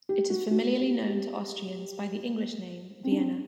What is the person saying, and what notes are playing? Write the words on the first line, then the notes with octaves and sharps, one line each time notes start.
It is familiarly known to Austrians by the English name "Vienna".
G4
F#4
F#4
G4
G4
C4
D4
C4